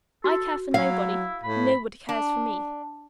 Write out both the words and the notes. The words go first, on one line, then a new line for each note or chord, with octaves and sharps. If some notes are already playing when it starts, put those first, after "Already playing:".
'I care for nobody-- Nobody cares for me.'
F#4 A4
F#3 E4 F5
A2 B5
D4